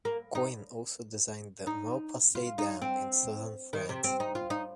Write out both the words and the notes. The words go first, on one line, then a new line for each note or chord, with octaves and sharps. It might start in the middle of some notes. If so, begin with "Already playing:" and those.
Coyne also designed the Malpasset Dam in Southern France.
A#3
D#4
D#4
F4
D#4
C4
D#3
C3
C4
D#4
F4
D#4